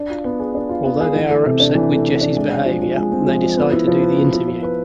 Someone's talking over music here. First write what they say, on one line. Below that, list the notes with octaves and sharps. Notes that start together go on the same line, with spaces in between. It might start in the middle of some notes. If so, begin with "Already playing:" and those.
Although they are upset with Jess's behaviour, they decide to do the interview.
Already playing: D4
F4
B3
G#4
D4
F4
B3
G#4
E3
A3
C3
D4
E3
A3
C3
D4
G#3
C4
F3
F3
G#3
C4
F3
F3
B3
E4
F3
B4
B3
E4
F3
B4